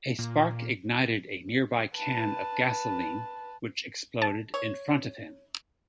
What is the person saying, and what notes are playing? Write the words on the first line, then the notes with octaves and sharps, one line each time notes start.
A spark ignited a nearby can of gasoline, which exploded in front of him.
A#2
B4 A5
A5
C#5